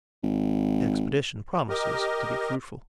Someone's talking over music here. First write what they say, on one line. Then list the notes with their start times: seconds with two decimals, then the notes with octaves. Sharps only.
The expedition promises to be fruitful.
0.23 G#1
1.69 G4 A#4 D#5